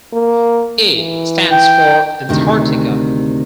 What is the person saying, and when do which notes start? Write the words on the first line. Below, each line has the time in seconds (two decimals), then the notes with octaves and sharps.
'A' stands for Antarctica.
0.13 A#3
0.95 E3
1.52 G5
2.29 D2 C3 D#3